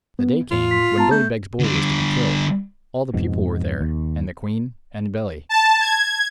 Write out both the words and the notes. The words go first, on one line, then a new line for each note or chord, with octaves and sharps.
The day came, when Billy Beg's bull was to be killed; all the people were there, and the queen, and Billy.
B3
A2 F4
C6 B6
B3 A5 A#5 A6
A3 G6
D3 G3
F2 G#2 B2
D#2
A5
G#6